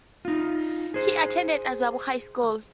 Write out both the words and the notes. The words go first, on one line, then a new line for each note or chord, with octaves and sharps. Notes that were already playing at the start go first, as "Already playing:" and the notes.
He attended Azabu High School.
D#4 F4
G#4 C5